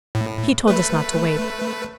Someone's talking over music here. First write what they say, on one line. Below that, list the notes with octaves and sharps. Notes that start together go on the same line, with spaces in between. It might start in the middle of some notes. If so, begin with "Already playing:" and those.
He told us not to wait.'
A2
A3 B4